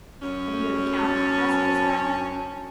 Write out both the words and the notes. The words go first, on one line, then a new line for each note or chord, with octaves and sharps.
"Have you an account?" asked his friend.
F#2 C#4
A5